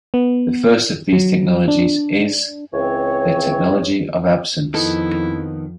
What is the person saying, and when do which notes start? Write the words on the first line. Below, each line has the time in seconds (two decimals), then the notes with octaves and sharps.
The first of these technologies is... the technology of absence.
0.14 B3
1.13 F#3
1.68 D4
2.73 C#2 E3 C4 C#5
4.74 F2 D#3 F3 B3 E4 A4